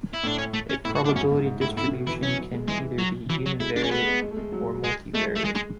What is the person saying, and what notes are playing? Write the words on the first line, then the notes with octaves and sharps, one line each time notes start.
A probability distribution can either be univariate or multivariate.
E4
A2 D4
C#4
A3
C#4
A2 E4
F#4
D4
F#2
G#2 C#4
G#2
G#2
A2 E4
A2 E4
B2
E3 E4
F#3 C#4
F#3
G#3
E3 G#3
F#3
E3 F#3
F#3
G#3 E4
G#3 D4
C#4
A3 B3
G#3
G#3
A3
G#3
F#3
G#3
G#3 A3
A3
G#3
G#3